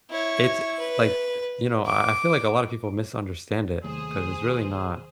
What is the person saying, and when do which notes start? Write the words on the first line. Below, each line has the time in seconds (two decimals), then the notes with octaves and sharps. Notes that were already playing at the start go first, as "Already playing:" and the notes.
it's, like, you know, I I feel like a lotta people misunderstand it 'cause it's really not
0.10 E4 C#5
0.79 B4
1.85 D6
3.84 D#2 C3 D#3 F#3 A3 G#4 C5 D#6